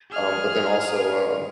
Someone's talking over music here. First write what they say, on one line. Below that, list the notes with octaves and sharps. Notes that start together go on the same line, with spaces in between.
um, but then also, um,
G#4 F6